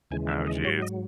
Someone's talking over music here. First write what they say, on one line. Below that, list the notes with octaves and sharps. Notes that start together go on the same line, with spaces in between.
Oh, jeez.
D#2 C#3 E3 G#3 G#5
E5
D#5
G#2 F#3 C#5
D#5